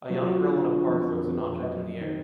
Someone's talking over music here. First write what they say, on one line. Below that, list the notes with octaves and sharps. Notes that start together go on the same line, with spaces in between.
A young girl in a park throws an object in the air.
F#3 F4
F#4
F4
D3
F4
F2 G#4
A#4
F2
B4
F#3 D#5
D#3